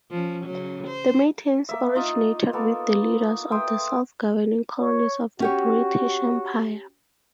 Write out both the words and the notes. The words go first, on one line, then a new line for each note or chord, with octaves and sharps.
The meetings originated with the leaders of the self-governing colonies of the British Empire.
F3 C#4
C#3 F#3
C5
A#3 E5
D#4 F4 D#5
A#3 B3 A4
E5 G5 C6 D#6
C#5
C#4 F#4 G4 C#5